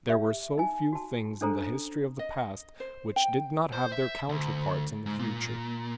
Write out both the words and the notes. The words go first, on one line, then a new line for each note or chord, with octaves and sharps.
There were so few things, in the history of the past, which did not have their counter-parts in the future.
G4 E5
D#4 G#5
F#4 A5
C#4 D4 A4 C5 A#5
D#5
C5
G5
C5
E5
D2
G#2
A#2